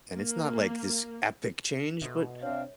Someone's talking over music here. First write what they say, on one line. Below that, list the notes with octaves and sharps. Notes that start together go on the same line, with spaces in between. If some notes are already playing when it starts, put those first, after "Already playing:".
and it's not like this epic change, but
A#3
B2 F#4 A4 E5
C3 C4 D4 C#5 E5 F5